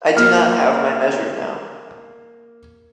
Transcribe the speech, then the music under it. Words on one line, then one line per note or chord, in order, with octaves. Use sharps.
I do not have my measure now.
A#3 F6